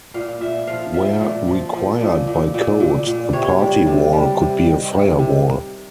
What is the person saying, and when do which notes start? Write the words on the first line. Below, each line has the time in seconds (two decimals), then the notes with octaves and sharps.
Where required by code, the party wall could be a firewall.
0.14 A#2 F5
0.41 A#2 E5
0.67 F3 F5
0.94 F3 E5
1.21 A#2
1.47 F3
1.73 F3
2.01 A#2
2.27 A#2
2.54 A#2
2.80 A#2
3.07 A#2
3.33 C3 C#5
3.60 G3
3.87 C3
4.13 G3
4.40 C3
4.67 D#3
4.92 C3
5.19 C3